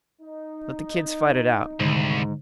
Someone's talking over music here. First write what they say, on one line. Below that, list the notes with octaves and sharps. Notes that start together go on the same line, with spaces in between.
"Let the kids fight it out."
D#4
C2 G#2 D3 D#3